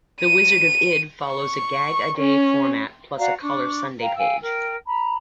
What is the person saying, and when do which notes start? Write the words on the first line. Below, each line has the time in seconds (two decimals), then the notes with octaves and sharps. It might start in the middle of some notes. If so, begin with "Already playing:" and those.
"The Wizard of Id" follows a gag-a-day format, plus a color Sunday page.
0.21 D#7
1.24 C#6
2.17 C#4
3.17 F#4 D5 F5 A#5
3.41 D4 C#6 D6
4.00 F5 G5 A#5
4.17 F5 G5 G#5 E6
4.41 A#4 G5
4.85 A#5 B5